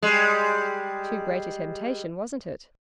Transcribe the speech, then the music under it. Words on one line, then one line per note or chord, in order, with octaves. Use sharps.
Too great a temptation, wasn't it?
G3 G#3